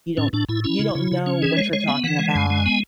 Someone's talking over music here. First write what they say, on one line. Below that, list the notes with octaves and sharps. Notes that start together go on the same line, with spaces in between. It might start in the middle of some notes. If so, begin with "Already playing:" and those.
you don't you don't know what you're talking about."
A2 C#4
A2 D4
A2 E4
C#4 E4
C#3
C#3
C#3
C#4
E3 G#4
G#3 C#5
G#3 C#5
B3 E5
E3 F#5
G#3
F#2 G#5
G#3
B3